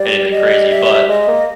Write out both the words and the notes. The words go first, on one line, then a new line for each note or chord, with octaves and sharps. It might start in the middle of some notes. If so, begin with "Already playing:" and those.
anything crazy, but,
Already playing: G3 D5
D#5
E5
G#3 D#5
A#3